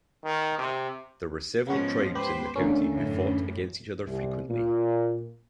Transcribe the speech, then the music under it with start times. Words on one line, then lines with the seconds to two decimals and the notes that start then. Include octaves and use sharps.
There were several tribes in the country who fought against each other frequently.
0.24 D#3
0.58 C3
1.67 G#2 F3 A#3 B3 C#4 F#4
2.15 B3 G4 B4 C5 B5
2.56 D3 A3 A#3 C#4
2.93 F#2 A2 E3
4.07 C2
4.49 A#2